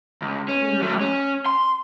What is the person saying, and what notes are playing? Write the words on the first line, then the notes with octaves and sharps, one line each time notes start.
you're up
C#2
C#4
F#3 A3
C#4
C6